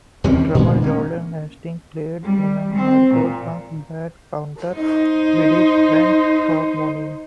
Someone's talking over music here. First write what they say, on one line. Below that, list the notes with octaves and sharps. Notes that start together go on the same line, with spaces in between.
Drummer Jordan Hastings played in a hardcore punk band Cunter with friends from Moneen.
D#2 E3 C4 C#4
A#2 D3 G#3
A#3 C4 C#4
G3
C4
A#2
D#4 C5